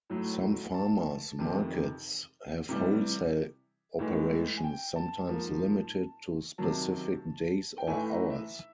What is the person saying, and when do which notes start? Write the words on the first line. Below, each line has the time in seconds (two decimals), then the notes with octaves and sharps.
Some farmers' markets have wholesale operations, sometimes limited to specific days or hours.
0.10 A2 F#3 A3
0.74 A5
1.39 F2 C3 D#3
2.69 C3 E3 G3
3.99 A2 E3 G#3
4.57 G#5
4.64 G5
4.96 A5
5.28 G#2 F3 A#3
6.58 C3 D#3 F#3 A5
7.78 G5
7.87 A2 E3 A3 G#5
8.09 A#5
8.30 E5